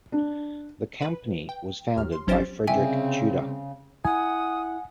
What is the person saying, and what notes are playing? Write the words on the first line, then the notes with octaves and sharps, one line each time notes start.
The company was founded by Frederic Tudor.
D4
B4
G5
D#2 F6
C6
G#1 F#3 C#4 G4 C5 A6
C2 C#3 C4 E5 G5 G#5
E4 F#5 G#5 D#6